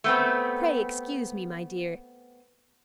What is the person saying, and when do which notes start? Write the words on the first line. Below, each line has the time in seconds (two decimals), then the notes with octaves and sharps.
Pray excuse me, my dear.
0.04 A3 B3 C4